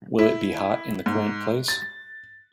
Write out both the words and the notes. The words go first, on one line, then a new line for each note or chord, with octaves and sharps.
Will it be hot in the current place?
E4
G#2
A6